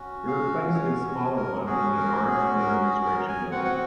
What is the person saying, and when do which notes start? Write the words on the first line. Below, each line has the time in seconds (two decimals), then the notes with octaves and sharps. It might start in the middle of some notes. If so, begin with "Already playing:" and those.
It replaced a smaller one in the Arts and Administration building.
Already playing: C#4 F#4
0.27 F5
0.74 C#5
1.36 A#4
1.66 C#4 F#4 G#4
1.98 A#4
2.28 G#4
2.58 A#4
2.82 G#4
3.05 A#4
3.28 G#5
3.51 C4 F#4 F#5
3.64 F#5